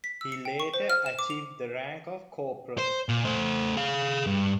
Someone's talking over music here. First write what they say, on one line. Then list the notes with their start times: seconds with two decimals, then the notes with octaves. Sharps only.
He later achieved the rank of corporal.
0.04 B6
0.21 E6
0.32 C#7
0.45 G5
0.60 C#6
0.74 C5
0.90 F6
1.06 E7
1.19 D6
1.30 F7
2.78 C5
3.09 A#2
3.24 A3 C5
3.77 G#4 F5
4.27 G2